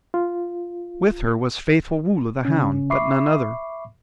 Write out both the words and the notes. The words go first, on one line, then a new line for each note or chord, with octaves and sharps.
With her was faithful Woola the hound, but none other.
F4
C#3 C#4
E5 B5 C#6 D6 C7